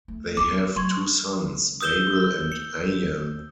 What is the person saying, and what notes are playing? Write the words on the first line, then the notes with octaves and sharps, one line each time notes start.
They have two sons, Babil and Ayan.
A3
B3 D6
F#3 C6 C#6 G#6
D#6 E6 G6 E7 G7
C#7